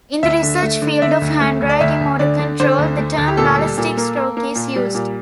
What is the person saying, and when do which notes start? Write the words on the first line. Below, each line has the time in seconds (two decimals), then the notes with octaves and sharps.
In the research field of handwriting motor control, the term ballistic stroke is used.
0.23 D2 E5
0.43 D3
0.63 A3
0.82 D3
1.02 D3 E5
1.22 D2
1.41 A3
1.61 D2
1.69 D5
1.81 D2 E5
2.01 D2
2.19 D3 D5
2.39 D3
2.60 D3 C5
2.78 D2
2.98 A3
3.18 D2
3.28 G4
3.37 A#2 A4
3.58 G3
3.78 A#2
3.97 A#3
4.16 A#3
4.37 A#3
4.55 A#2
4.76 G3
4.95 A#2